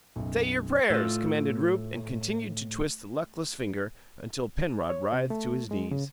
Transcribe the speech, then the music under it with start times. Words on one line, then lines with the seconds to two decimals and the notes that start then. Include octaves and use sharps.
"Say your prayers!" commanded Rupe, and continued to twist the luckless finger until Penrod writhed to his knees.
0.16 B1 F#2
0.90 A2 A3 F4
4.90 C#5
5.13 C3
5.30 A3
5.71 G#3
5.91 C#3